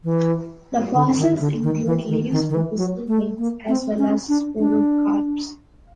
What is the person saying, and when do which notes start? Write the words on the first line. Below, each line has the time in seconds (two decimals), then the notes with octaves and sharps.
The fossils include leaves with visible veins, as well as sporocarps.
0.04 E3
0.94 D3
1.18 D#3
1.40 D3
1.63 D#3
1.86 E3
2.09 D#3
2.31 D#3
2.49 D#3
2.55 E3
2.77 F#3
3.08 A3
3.38 A#3
3.69 C4
3.99 C#4
4.29 D4
4.59 D4